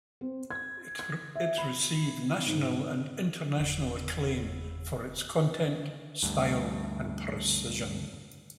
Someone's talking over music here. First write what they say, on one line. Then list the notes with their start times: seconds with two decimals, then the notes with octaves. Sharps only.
It received national and international acclaim for its content, style, and precision.
0.21 C4
0.51 G#6
0.99 G#6
1.35 E5
1.58 B5
2.46 G#2
3.58 F#1 E2
6.23 D2 G2